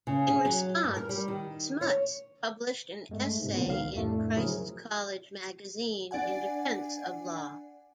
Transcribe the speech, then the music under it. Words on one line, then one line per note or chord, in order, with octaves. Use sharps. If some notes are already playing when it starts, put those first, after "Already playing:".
In response Smuts published an essay in Christ's College Magazine in defence of Law.
C#3
G#4
F#3
G2
A#4
G3
D#3
C#5
G2 G#3 A3
G#2 C3
A#2 D3 F3 F#3 B3 C4
C#2 D#3 F5
F2 A2 A3 D4
C#3 F3 F#3 E4 G#4 A#4
D4 D5 F#5 G#5